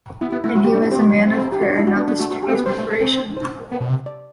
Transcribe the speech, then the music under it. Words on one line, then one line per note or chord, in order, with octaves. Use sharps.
And he was a man of prayer not of studious preparation.
B3 E4
B3 E4
A3 E4
F#3 F#4
G4
G3 D4
B3 E4
C4 G4
B3
G3
F#3
C4
G4
F#4
D4
E4
F#4
B3 D4
B3 D4
A3 F#4
A3 F#4
G4
C4
B3 B4
G3 C5
A3
A3
C4
C5
B3
B2
C3
D5